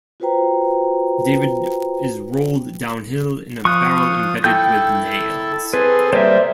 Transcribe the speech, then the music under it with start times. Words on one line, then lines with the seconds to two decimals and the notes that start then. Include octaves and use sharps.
David is rolled downhill in a barrel embedded with nails.
0.20 F4 F#4 B4 C5 G5 A#5
3.65 F3 C#6 D#6 F#6
4.44 E4 A4 G5 G6
5.74 C4 G#4 A4 B4
6.13 G3 A#3 C5 D5 E5